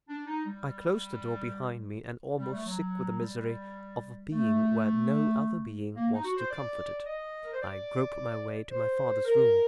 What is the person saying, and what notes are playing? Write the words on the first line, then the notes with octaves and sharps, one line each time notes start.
I closed the door behind me, and, almost sick with the misery of a being where no other being was to comfort it, I groped my way to my father's room.
D4
D#4
G3
G3
A3
F#3
G3
A3
A#3
D#4
F#4
C5
D5
D#5
A#4
C5
D5
C5
A#4